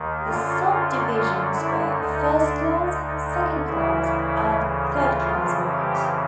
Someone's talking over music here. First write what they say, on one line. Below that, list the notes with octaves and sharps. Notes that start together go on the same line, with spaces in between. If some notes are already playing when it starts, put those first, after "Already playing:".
The subdivisions were: first-class, second-class and third-class wines.
Already playing: D#2 D#3
F#2 D3 F4
F4
F4
E4
D2 D3 D#4
D4
D#4
D#4
D2 C#3 E3 E4
F4
F2 C#3 E3
G4